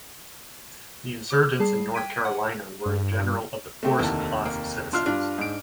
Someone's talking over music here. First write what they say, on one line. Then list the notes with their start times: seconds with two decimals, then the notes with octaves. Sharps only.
The insurgents in North Carolina were in general of the poorest class of citizens.
1.30 D6
1.59 G3 G#4 A5 C7
1.94 G5 G#6 B6 D7 D#7
2.25 F#5
2.86 G2
3.83 A3 C4 G4
3.99 F1 D#2 D3 A#3 E4
4.46 A#3
4.93 D4 F4 E5 C6 E6 F6
5.06 G2 D4 F4
5.38 G#2 D7